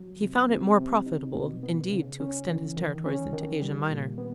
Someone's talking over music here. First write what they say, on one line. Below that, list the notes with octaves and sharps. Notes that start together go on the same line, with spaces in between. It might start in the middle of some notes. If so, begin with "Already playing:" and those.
He found it more profitable, indeed, to extend his territories into Asia Minor.
Already playing: F#3
C3
C3
C3
D#4
B2
B3
C#3
C#4
E3
D#3
C#4
D#3
G3
A#2
B3